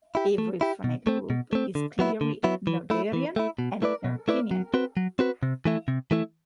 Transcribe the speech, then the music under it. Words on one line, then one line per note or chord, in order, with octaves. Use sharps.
Every finite group is clearly Noetherian and Artinian.
E4 G4
A3
E4 G4
B2
A3 C4
B2
A3 C4
D3
F#3 B3 E4
D3
F#3 B3 E4
E3
A3 E4
E3
A3 E4
B2
A3 E4 B4 D5
B2
A3 E4 B4 D5
F#3
C4 F#4 B4
F#3
C4 F#4 B4
C3
E3 A3 E4
C3
E3 A3 E4